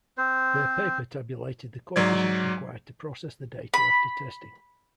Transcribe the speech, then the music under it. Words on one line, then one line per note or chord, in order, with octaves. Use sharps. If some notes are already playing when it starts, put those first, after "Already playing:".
Their paper tabulated the coefficients required to process the data after testing.
C4 C5
G#2 F#3 D5 G#6
B5